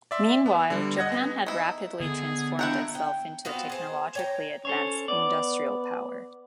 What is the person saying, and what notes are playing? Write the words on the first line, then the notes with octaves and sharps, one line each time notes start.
Meanwhile, Japan had rapidly transformed itself into a technologically advanced industrial power.
D5 E5 C6
B3
D3 G3
D#5 F#5 G#6 A#6
B3
D#4 E4
D3 B3 G#4
D4 E4 F#5 G5 A#5
G5
B3 C4 F4 F#4
G#4 C5
C#5 G5 A#5
C#4 A4 C5 C#5
B3 D5